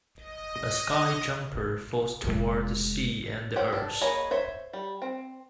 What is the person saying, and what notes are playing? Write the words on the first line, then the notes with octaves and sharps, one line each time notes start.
A sky jumper falls toward the sea and the earth.
D#5
F1 G#3
G4 C5 C#5 F#5
D4
A#3 G#4 B4 C#5 D#5
C5 C#5 E5
G3
C4